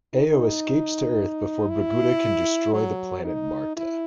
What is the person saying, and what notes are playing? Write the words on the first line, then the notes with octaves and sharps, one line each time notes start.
Aio escapes to Earth before Braguda can destroy the planet Marte.
D#4
E4
F#3
D#4
E4